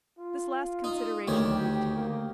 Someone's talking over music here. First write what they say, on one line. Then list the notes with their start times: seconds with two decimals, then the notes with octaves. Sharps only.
This last consideration moved him.
0.19 F4
0.84 D#4
1.28 D2 D#3 G4 C#5
1.96 A#3